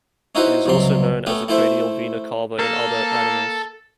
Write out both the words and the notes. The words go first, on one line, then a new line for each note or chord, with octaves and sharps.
It is also known as the cranial vena cava in other animals.
C#4 D#4 E4 F#4 B4 C5
C#2 G2 C3 F#3 C6
A3 B3 C#4 G4
A3 E4 C5 E5
A#3 A4